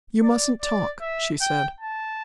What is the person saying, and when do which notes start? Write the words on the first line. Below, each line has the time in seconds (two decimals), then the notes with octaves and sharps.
"You mustn't talk," she said.
0.23 D5
0.62 D5
1.01 E5
1.41 G5
1.81 A5